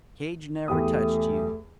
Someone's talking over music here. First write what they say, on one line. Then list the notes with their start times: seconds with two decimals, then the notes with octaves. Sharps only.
Cage never touched you!
0.68 E2 A3 G4 D#6